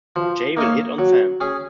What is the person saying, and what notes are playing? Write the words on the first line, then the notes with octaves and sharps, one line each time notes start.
Jay will hit on Sam.
F3
A#3 D#4 A#4 C#5
F#3
C#4 G#4